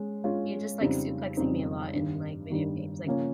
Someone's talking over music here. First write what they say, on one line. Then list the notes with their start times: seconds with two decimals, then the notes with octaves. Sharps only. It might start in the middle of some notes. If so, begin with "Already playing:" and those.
he's just, like, suplexing me a lot in, like, video games, like
Already playing: G#3 C#4
0.24 G#3 C#4 F4
0.81 F2 C#3 G3 C4 D#4
1.37 F2 C#3 G3 C4 D#4
1.93 G2 D#3 G3
2.50 G2 D#3 G3
3.06 C#3 F3 A#3 C#4